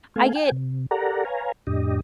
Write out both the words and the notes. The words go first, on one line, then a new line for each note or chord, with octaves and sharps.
I get
A3 B3 A4 F5 G#5
G5 G#5
C3
G4 A4 A#4 D5 F#5 A#5
B4 C#5 F5 G#5 A#5
F2 A2 D4 G4 D#5